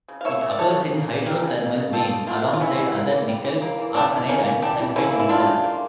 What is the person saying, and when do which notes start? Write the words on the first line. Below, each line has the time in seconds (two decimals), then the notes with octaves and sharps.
It occurs in hydrothermal veins alongside other nickel arsenide and sulfide minerals.
0.08 C#3
0.21 F5
0.25 A#3 C#5 E5
0.41 C#3
0.50 D5
0.58 G3 A4 C#5
0.76 C#3
0.93 A#3
1.09 C#3
1.26 G3 G4 A#4
1.43 C#3
1.60 A#3
1.76 C#3
1.93 G3 F4 A4
2.10 C#3
2.27 A#3 D4 F4
2.44 C#3
2.54 F4
2.60 G3 C#4 E4
2.78 E3
2.95 A#3
3.11 E3
3.28 G3
3.44 E3
3.62 A#3
3.78 E3
3.95 G3 D4
4.12 E3
4.29 A#3 C#4
4.45 E3
4.62 G3 D4
4.79 E3
4.96 A#3 C#4 E4
5.13 E3
5.19 E4
5.29 E3 D4 F4
5.46 C#3
5.64 A#3